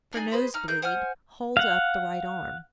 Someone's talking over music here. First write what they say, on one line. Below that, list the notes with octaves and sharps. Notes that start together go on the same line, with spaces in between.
For nose-bleed, hold up the right arm.
D4 D#4 G#4 G#5
G#4 B4 C5 B5
D#4 A#5 F6
G#4 A#4 F#6 G6
C5 F#5 G#5 F6
F5 F#5